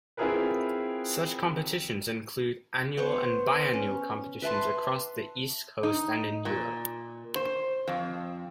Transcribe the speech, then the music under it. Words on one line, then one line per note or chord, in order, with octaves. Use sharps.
Such competitions include annual and biannual competitions across the East Coast and in Europe.
C4 E4 F4 G#4 A#4 B4
B3 C5 C#5
C#4
B4 E5 A5 C6
D#4
A#2
C5
F2